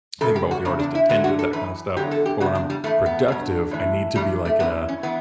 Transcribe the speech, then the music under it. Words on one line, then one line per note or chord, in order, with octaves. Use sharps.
I think about what the artist intended, that kinda stuff, but when I'm productive, I need to be, like, in a
F#2 C#3 A4
G4
F#4
E2 C#3 D4
D4
E4
G2 D3 F#3 F#4
F#4
A4
F#2 E3 B4
E2 D3 F#3 G4
A4
G4
E2 C#3 F#4
D4
G3
A2 E3 A3
B3
G2 F#3
A2 E3
G2 E3 G3
A3
F#2 E3 B3
C#4
E3 B3